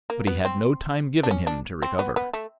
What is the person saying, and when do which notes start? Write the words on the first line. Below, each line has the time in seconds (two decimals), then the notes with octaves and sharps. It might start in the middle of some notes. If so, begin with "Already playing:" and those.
But he had no time given him to recover.
0.10 A#3
0.27 B3
0.45 C4
1.23 D4
1.31 C#4
1.47 D4
1.82 C4
1.99 B3
2.16 B3
2.33 A3